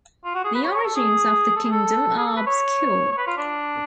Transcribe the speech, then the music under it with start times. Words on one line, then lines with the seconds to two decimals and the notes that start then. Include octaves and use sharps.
The origins of the kingdom are obscure.
0.25 F4
0.35 F#4
0.44 G#4
0.55 B4
0.64 C#5
0.74 C#5
0.84 A4
0.96 G#4
1.56 A4
1.64 G#4
1.72 A4
2.17 G#4
2.27 A4
2.36 B4
2.46 C#5
3.12 C#5
3.18 B4
3.27 F4
3.37 D4